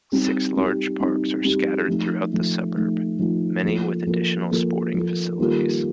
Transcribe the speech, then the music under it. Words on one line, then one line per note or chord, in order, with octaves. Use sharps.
Six large parks are scattered throughout the suburb, many with additional sporting facilities.
G3 C4 D#4 G4
G3 C4 D#4 G4
G3 C4 D#4 G4
G3 C4 D#4 G4
F3 A3 D#4
F3 A3 D#4
F3 A3 D#4
F3 A3 D#4
F3 A#3 F4 A4
F3 A#3 F4 A4
F3 A#3 F4 A4
F3 A#3 F4 A4
D#3 G3 A#3 F4 A4